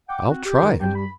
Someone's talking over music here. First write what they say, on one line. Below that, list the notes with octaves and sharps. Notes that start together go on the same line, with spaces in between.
I'll try it.
F#5 G5 D6
C4 F#4
G4
D#3
G2 G3 C4 G4 G5
B5